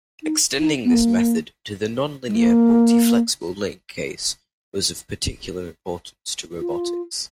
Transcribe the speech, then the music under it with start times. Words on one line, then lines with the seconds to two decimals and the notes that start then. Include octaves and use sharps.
Extending this method to the nonlinear multi-flexible-link case was of particular importance to robotics.
0.23 D#4
0.59 D#4
0.84 B3
0.94 A#3
2.28 G#3
2.35 A#3
6.59 F4